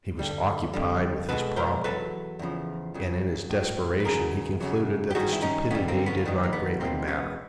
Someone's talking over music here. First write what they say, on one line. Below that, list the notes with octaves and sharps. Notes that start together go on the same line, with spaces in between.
He was occupied with his problem, and in his desperation he concluded that the stupidity did not greatly matter.
G2 D3 G3
F2 D3 G3
B2 G#3 A4 B4
A#4 C5
E2 B2 F#3 A4 B4
E2 C#3 F3
F2 C#3 F#3
A2 F#3
B4
E2 C#3 F#3 G#4 A#4
F#2 C#3 F#3
G4
G2 D#3 G3 F#4 G#4
E4
C#4 D#4
F2 D3 G3 B3 C#4
A#3 C4
B3 C#4
A#3
G2 D#3 G3 B3
A#3
B3
E2 B2 G#3 A#3 C4
B3 C#4